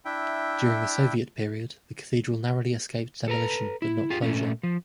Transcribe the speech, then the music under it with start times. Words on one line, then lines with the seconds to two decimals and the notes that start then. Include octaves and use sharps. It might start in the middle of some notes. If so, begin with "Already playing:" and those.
During the Soviet period, the cathedral narrowly escaped demolition, but not closure.
0.05 D4 E4 E5 G5
3.28 A4 B4 A#5
3.82 E4
4.10 F4 G4 G#4
4.22 A#2 A3 C#4
4.63 F3